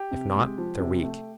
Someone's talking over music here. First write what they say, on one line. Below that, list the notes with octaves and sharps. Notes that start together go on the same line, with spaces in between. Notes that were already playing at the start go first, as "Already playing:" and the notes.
If not, they're weak.
Already playing: G4
C3
G#3
F3
C3
A3